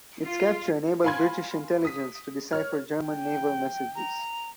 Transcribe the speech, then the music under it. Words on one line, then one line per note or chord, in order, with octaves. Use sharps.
Its capture enabled British intelligence to decipher German naval messages.
F4
F5 G#5 B5 C6 G#6
D#6 B6
C#5 F6
G5
A#5